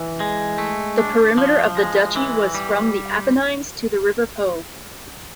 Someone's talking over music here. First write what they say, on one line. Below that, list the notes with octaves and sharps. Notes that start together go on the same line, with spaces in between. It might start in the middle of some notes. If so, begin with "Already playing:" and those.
The perimeter of the duchy was from the Apennines to the river Po.
Already playing: E3
G#3
A3
D4
F3
G#3
E3
G3